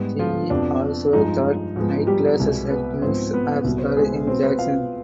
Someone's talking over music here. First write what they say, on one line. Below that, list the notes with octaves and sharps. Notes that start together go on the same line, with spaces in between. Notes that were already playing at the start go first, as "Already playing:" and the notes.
He also taught night classes at Millsaps College in Jackson.
Already playing: G#2 G3 B3
F3 F4
F2 C3 F3 B3 D4
G2 F3 G#3 D#4
G#2 F3 G#3 B3
G3 G4
C2 B2 G#3 B3
B3 B4
G#2 F3 B3 C4 C5
B3 B4
C2 B2 B3
C5
B4
G#3 G#4
B2 B3 C4 C5
B3 B4
F4 F5